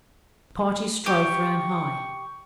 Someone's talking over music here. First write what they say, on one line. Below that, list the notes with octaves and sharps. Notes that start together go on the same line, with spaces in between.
Party strife ran high.
G4 C#6